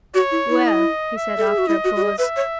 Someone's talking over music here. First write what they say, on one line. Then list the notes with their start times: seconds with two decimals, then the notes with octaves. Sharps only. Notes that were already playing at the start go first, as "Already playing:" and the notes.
"Well?" he said after a pause.
0.14 F#4 C#5
0.31 E4
0.50 E4
0.66 D#5
1.17 E5
1.38 A4
1.47 G#4
1.58 F#4
1.68 E4 D#5
1.84 F#4
1.96 F#4
2.02 G#4
2.18 B4 E5
2.37 C#5